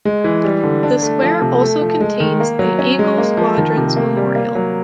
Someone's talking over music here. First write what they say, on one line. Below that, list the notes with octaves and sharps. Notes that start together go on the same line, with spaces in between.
The square also contains the Eagle Squadrons Memorial.
G#3
E3
G3
D3
D4
A3
F3
C3
A3
F3
G#3
D#3
A#3
F#3
C#4
G#3
A#3
F3
D#3
C3
A#3
G3
A#3
F#3